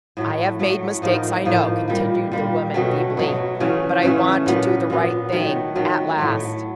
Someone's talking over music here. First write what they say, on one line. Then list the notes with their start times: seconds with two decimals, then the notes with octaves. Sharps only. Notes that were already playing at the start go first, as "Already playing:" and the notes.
"I have made mistakes, I know," continued the woman feebly; "but I want to do the right thing, at last."
0.17 A2 F#3 A3
0.59 A2 F#3 A3
1.02 A2 F3 A#3 D#4
1.45 A2 F3 A#3 D#4
1.88 A#2 G3 A#3
2.32 A#2 G3 A#3
2.74 B2 F#3 A3
3.17 B2 F#3 A3
3.60 C#3 E3 A3 C#4
4.03 C#3 E3 A3 C#4
4.46 A#2 F#3 B3
4.90 A#2 F#3 B3
5.32 D#3 F#3 A3
5.75 D#3 F#3 A3
6.18 A2 F#3 A3